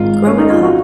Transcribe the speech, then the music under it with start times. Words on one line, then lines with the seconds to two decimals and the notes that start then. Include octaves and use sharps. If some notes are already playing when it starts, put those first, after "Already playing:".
growing up,
Already playing: G#1 G#2 D#3 F4
0.27 C#4
0.38 D#4
0.50 F4
0.63 F#4